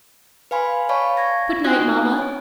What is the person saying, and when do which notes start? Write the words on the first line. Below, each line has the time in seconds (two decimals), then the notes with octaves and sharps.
Good night, Mama.
0.51 B4 F5 G#5 B5 C6
0.89 C#5 D5 F5 A5 B5 C#6
1.17 C#6 G#6 A#6
1.64 D#4 F4 F#4 G#5 D#6 F#6
2.18 C4 C#5